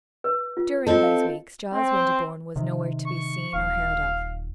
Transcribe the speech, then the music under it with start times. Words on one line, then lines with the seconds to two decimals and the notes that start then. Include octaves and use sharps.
During these weeks Giles Winterborne was nowhere to be seen or heard of.
0.24 B4
0.57 F4
0.87 C4 F4 A4 D#5
1.03 F5
1.71 C4
2.56 C3 D#3
3.06 C#6
3.53 D#1 F5